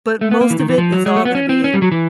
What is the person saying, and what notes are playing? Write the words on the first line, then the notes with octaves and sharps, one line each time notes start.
but most of it is all gonna be
A3
B3
A#3
E3
D#3
E3
F3
F#3
G#3
A3
B3
C#4
C4
C#4
G3
F#3
E3